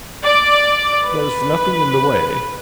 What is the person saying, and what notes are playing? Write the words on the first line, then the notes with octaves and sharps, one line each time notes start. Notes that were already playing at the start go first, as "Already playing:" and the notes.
There's nothing in the way.
D5
B4